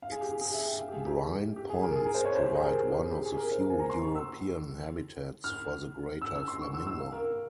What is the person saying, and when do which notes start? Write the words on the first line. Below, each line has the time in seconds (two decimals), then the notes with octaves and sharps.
Its brine ponds provide one of the few European habitats for the greater flamingo.
0.02 F5
0.12 G#4
0.21 G4
0.31 G4
0.41 G#4
0.54 E5
0.67 G5
0.80 F5
0.88 G4
0.92 G#4
1.05 G4
1.56 G4
1.70 G#4
1.83 A#4
1.96 G#4
2.06 A#4
2.14 C5
2.25 C#5
2.35 C5
2.44 G4
2.54 G#4
2.63 A#4
2.92 G4
3.05 G#4
3.11 G4
3.25 G#4
3.37 A#4
3.51 C5
3.60 A#4
3.70 G#5
3.80 A#5
3.90 C6
4.02 C#6
4.15 E6
5.44 F6
6.22 E6
6.36 E6
6.48 C6
6.61 C#6
6.74 E6
6.87 E6
7.00 F5
7.13 A#4